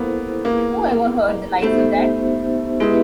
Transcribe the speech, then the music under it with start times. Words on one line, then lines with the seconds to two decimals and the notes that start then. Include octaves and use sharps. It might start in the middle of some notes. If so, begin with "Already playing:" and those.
Who ever heard the likes of that?
Already playing: A#3 B3 E4 A4 C5
0.44 A#3 B3 E4 G#4 B4
1.62 A3 B3 D#4 G4 C5 E5
2.80 G#3 B3 E4 G4 B4 E5